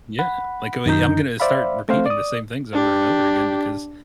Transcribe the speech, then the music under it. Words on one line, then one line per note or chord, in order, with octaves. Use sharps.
Yeah. Like, uh, I'm gonna start repeating the same things over and over again because
F#5 B5
F#2 D#3 D#4 D#5 A#5 G6
C5 D5 E5 F5 B5
A3 C4 C5 F5
D5 D#6
D4 G4